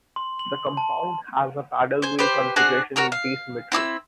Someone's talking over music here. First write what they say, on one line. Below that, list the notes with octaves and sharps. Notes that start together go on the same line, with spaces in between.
The compound has a paddlewheel configuration with D symmetry.
C6
F#7
A5
C5 G#5
G4 B4 C5
D4 F#4 G#4 C5
F#4 A#4 C#5 A#5
F5
C4 E4 D6 E6